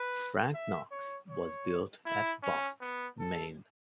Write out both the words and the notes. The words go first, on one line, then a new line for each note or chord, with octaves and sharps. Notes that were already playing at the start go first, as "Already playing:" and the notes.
"Frank Knox" was built at Bath, Maine.
Already playing: B4
E5
C#5
C#5
E4
C#4
B3
A4